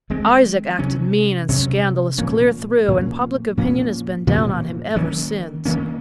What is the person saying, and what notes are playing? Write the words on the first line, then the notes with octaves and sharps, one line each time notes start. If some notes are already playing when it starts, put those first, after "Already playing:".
Isaac acted mean and scandalous clear through, and public opinion has been down on him ever since.
D#3 G#3 C4
C3 F#3 C#4
C3 F#3 C#4
A#2 F3 A#3 C#4
A#2 F3 A#3 C#4
A#2 F3 A#3 C#4
A#2 F3 A#3 C#4
D#3 F#3 A#3 C#4
D#3 F#3 A#3 C#4